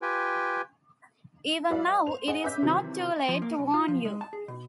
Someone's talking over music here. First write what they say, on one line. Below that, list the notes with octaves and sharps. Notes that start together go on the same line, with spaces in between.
Even now it is not too late to warn you.
F4 G4 B4 G5 G#5
F#3 B4 D5 E5 F5
C5 F7
G#4 D#5 F#5
C#4 B4 E5 D6 G6 B6
C3 D#3 E3 F#3 C4
F3
A#3
B1
F4
F3
G#3
A5
G#4
B2